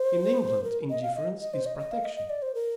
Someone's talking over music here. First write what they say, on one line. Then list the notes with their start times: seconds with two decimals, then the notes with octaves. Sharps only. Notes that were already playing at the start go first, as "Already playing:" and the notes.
In England, indifference is protection.
Already playing: C5
0.64 A#4
0.90 D#5
1.03 F5
1.15 D#5
1.41 D#5
1.54 C5
1.66 D#5
1.79 D#5
1.92 F5
2.04 D#5
2.17 D#5
2.30 D5
2.42 C5
2.55 A#4